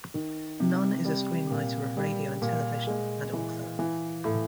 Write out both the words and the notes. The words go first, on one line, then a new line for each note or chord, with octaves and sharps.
Nunn is a screenwriter of radio and television and author.
D#3
C3
G3
A#2
G3
A#2
G#3
E3
E3
A2